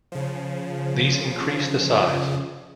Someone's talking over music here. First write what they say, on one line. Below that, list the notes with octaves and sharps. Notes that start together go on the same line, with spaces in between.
These increase the size.
C#3 F3